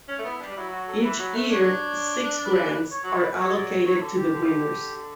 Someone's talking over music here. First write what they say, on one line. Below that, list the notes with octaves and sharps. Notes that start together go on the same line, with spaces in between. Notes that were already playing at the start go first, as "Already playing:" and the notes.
Each year, six grants are allocated to the winners.
C#4
A3
B3 E4
G3 D4
G3
F#3 E4
F#4
A4
E3 B4
F#3
A3
D4 C#5
B4
C#5
F#3 C#5
E3
B4
G3
F#3 C#5
D5
F#3 C#5
E3
D3 A4
G4
D3
C#3
D3